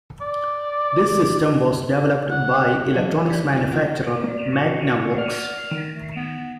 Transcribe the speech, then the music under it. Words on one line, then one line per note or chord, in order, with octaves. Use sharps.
This system was developed by electronics manufacturer, Magnavox.
D5
F#5
E3 F#3 D4 G#4 C#5 F5
G4 D5 F#5
D2 G2 E3 G3 A3 F4
E4 F4 F#5
A#3 D5
A#2 F#4 C#6
D5 F#5 F6
D#3
A3
B3